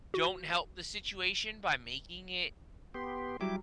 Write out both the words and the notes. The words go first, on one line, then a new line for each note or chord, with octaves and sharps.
don't help the situation by making it
F#4
B3 G4 C6
F#3 G3 E4 G4 D6